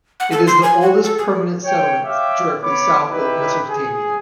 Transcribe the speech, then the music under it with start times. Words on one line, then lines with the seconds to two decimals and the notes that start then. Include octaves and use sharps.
It is the oldest permanent settlement directly south of Mesopotamia.
0.20 F#5
0.32 A4
0.47 C6
0.63 G#5
0.82 F#4
1.04 A4
1.18 G#4
1.63 C#5 G5
2.04 C#5 E5 F5 G5 D6
2.62 B3 C#5 B5 D6
3.10 D#4 E4 G4 B4 B5
3.68 G#4